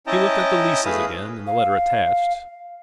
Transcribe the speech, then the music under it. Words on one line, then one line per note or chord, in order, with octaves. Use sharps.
He looked at the leases again and the letter attached.
C#4 E4 D#5 G5 A5 A#5
A3 G#4 B4 F5 D#6
F5